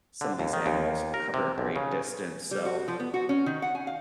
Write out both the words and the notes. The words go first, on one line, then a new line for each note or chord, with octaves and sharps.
some of these animals cover a great distance, so
D3
D#2
D#3
D#2
A#4
C3
B1
C#3
G3
F#4
F3
B3
F#4
C#4
D#3
F#5
G#5
F5